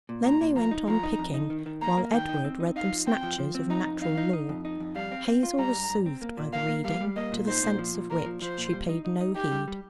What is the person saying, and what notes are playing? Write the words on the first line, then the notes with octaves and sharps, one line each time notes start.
Then they went on picking, while Edward read them snatches of 'Natural Law.' Hazel was soothed by the reading, to the sense of which she paid no heed.
A#2
A#2 A#5
A#2
F3 A#5
D#4
F3 A#5
D#4
F2
D#4
D#3
D#3
A#3 A#5
A#3
D#3 G5
D#4
C4
D#4
D#4 F5
F3
C4 G5
F3
F3
C4
D#4 A#5
F2
D#4 F5
D#4
D#4
F2
D#4
F2
G3 F5
C4
C4
F4
G3 A#5
G2
G2
C4
A#3
A#2
A#3 F5
A#3
G3 F5
G3
A#3 D#5
A#2
D#4 C5
A#2
F3
A#2
A#2 A#4
F3
F3 C5
A#2
G3
D#4
D#4
D#4
D#4 G4
G3
G3